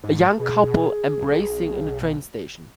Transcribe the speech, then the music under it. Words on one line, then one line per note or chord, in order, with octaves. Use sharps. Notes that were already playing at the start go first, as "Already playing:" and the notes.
A young couple embracing in a train station.
G#2
B2 G#4
B1